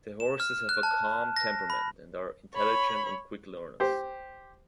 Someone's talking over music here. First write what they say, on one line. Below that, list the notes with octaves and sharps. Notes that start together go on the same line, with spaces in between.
The horses have a calm temperament, and are intelligent and quick learners.
E7
F6
F#6
A5
A#6
B5
C#5 B5
G4 C5